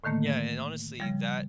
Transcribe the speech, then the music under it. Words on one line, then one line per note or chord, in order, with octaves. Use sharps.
Yeah, and, honestly, that
A2 D3 D#3 A3 A#3
C#3 F3 G3